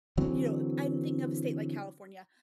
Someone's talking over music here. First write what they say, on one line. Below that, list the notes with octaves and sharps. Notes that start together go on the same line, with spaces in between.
you know, I'm thinking of a state like California,
D3 E3 F#3 C4